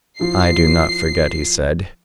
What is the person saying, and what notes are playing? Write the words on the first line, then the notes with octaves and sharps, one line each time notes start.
"I do not forget," he said.
F3 E4 C7